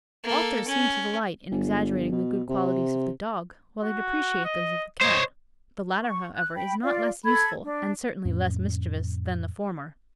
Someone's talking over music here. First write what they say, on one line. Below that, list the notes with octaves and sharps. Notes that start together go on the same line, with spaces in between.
"Authors seem to delight in exaggerating the good qualities of the Dog, while they depreciate those of the Cat; the latter, however, is not less useful, and certainly less mischievous, than the former."
A#3 A4
C#4
G1
B2
C3
F#4
D#5
C5 C#5 D#5
C#6
F#6
G5 B5
F4 D5 F5
A4 B5 G#6
D4
F2 A2 C#4